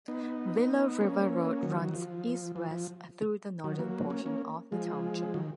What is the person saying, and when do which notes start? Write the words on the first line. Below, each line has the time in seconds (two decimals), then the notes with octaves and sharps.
Willow River Road runs east-west through the northern portion of the township.
0.08 B3 D#4
1.01 A#3 C#4
1.63 D#3 F#3
1.94 F3
2.56 F3
2.71 F3
3.64 D#3 F#3
3.79 F#3 A#3
4.10 A#3 C#4
4.26 A#3 C#4
4.72 F3 G#3
5.34 D#3 F#3